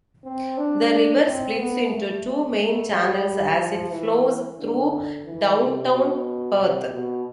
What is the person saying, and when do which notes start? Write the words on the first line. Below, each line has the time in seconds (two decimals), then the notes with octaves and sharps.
The river splits into two main channels as it flows through downtown Perth.
0.25 C4
0.58 D4
1.25 C4
1.59 B3
1.91 A3
2.59 A3
2.92 G3
3.58 F3
3.92 E3
4.59 D3
5.26 E3
5.59 C3
5.93 B2
6.59 C3
6.93 B2